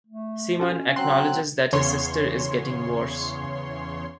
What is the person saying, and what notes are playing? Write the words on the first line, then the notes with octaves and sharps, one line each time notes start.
Simon acknowledges that his sister is getting worse.
A3
C#4 F4 F#4 A4
F#3 C4 C6 F#6
E2 C#3 C#5 C6